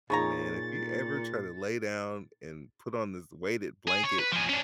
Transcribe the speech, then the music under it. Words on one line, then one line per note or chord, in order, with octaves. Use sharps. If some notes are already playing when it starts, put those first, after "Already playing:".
man, if you ever try to lay down and put on this weighted blanket,
A#2 C#3 D#4 G#4 C#5 A#5 A6
G#4
C#5
B4
F3 G#4
C#4 D4